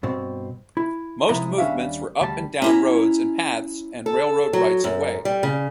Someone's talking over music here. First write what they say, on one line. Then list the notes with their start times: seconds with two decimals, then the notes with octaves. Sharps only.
Most movements were up and down roads and paths and railroad rights-of-way.
0.03 G2 B2 C4
0.77 E4
1.29 C3 F3 G#3 D#4 E4 A#5
1.58 D#2 G3 C#4 D4 E5 F5
2.21 D2 G3 A5
2.62 C#4 E4 A#5
4.06 A4
4.53 F#3
4.84 F#2
5.25 G3
5.43 C#3